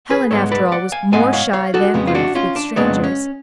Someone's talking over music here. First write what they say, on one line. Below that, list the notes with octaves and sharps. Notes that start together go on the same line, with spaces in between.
Helen, after all, was more shy than Ruth with strangers.
G#4 B4
G#2 G#3 B3 A4 C#5
B4 D5
D5 F#5
F5 G#5
G#2 G#3 B3 F5 G#5
C#5 F5
C#5 F5
F#4 A4
F2 C#3 G#3 B3
F4
D4 F#4
C#4 F4
D4
F2 C#3 G#3 B3 D4
C#4